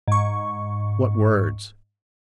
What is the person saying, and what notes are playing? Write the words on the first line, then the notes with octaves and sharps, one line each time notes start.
"What words?"
G#2 C#6